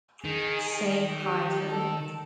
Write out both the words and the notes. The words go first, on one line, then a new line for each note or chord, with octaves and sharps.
Say hi for me.
D#3 G#4
G4
A4